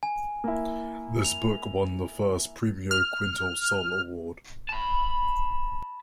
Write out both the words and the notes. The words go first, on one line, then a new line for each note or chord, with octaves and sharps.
This book won the first Premio Quinto Sol award.
G#5
A#3 E4
F7
F6
A5 B5